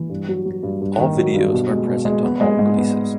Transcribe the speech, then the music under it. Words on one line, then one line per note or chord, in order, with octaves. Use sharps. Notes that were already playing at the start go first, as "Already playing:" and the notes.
All videos are present on all releases.
Already playing: E3
G2
F#3
F#3
G2
G2
D#3
F#3
G2
B2
G#3
B2
G#3
B3
G#3
G#2
B3